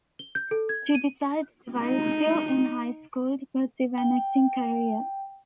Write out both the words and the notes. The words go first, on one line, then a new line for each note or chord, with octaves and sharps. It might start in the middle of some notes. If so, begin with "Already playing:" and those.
She decided, while still in high school, to pursue an acting career.
G7
G6
A4
G#6
D#7
D#4
G5